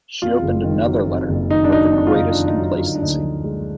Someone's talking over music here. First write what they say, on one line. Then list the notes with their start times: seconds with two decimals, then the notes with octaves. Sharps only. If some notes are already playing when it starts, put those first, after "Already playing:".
She opened another letter with the greatest complacency.
0.22 F2 F4
0.42 F#1
0.64 D#3
0.86 F#3
1.08 F2
1.29 F#1
1.50 D#3 D#4
1.64 D4
1.72 F#3 D#4
1.93 F2 D4
2.07 F4
2.15 F#1 D#4
2.31 D4
2.36 D#3
2.47 D#4
2.58 F#3
2.64 D#4
2.79 D3 F4
2.87 D#4
2.95 D4
3.02 D2 D#4
3.22 F3
3.44 G#3